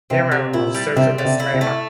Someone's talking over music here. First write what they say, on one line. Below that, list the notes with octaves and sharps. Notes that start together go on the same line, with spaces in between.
Hero of Socialist Labor.
C3 C4
C3
A#2 E4
G3
C3 C4
D3
C3
E4
C3
A3